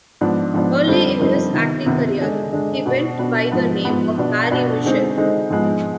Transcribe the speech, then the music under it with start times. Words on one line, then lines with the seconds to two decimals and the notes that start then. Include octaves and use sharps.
Early in his acting career, he went by the name of Barry Mitchell.
0.21 G#2 F3 B3 D4
0.54 G#2 F3 B3 D4
0.87 F2 D3 G3 C4 D#4
1.20 F2 D3 G3 C4 D#4
1.53 C3 D#3 B3
1.86 C3 D#3 B3
2.19 D3 G#3 D4
2.53 D3 G#3 D4
2.86 B2 B3 D4
3.19 B2 B3 D4
3.52 G#2 F3 B3
3.85 G#2 F3 B3
4.18 B2 B3 D4
4.51 B2 B3 D4
4.84 D3 G#3 C4 D#4
5.17 D3 G#3 C4 D#4
5.50 G#2 F3 G#3 B3